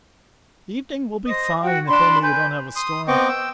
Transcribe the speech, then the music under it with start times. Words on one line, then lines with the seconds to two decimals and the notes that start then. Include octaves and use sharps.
The evening will be fine, if only we don't have a storm.
1.28 C5 D#5 D#6
1.62 F#4 G5
1.88 D4 B5 C6
2.22 B4 G#5 G6
2.76 C6 D#6
3.08 B3 C4 D#5 G5 C#6 D6
3.29 G5 E6